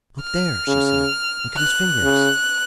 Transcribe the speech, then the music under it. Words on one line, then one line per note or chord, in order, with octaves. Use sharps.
"Look there!" she said; "look at his fingers!"
F6
C#3
F#6
C#3